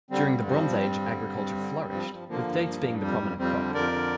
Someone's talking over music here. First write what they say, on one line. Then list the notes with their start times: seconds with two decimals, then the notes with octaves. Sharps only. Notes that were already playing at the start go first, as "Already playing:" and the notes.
During the Bronze Age, agriculture flourished, with dates being the prominent crop.
0.11 D3 G3 C4
0.29 G2
0.47 F3 G3 C4
0.65 G2
0.83 G2
1.02 D3
1.20 G2
1.38 G2
1.56 D3
1.74 G2
1.93 F3
2.11 F3
2.28 D3 F3 A#3
2.47 G2
2.65 G2
2.83 G2
3.01 F2 G3
3.19 F2
3.38 F2 G3 C4
3.56 D3
3.74 F2 A#4 D5
3.92 D3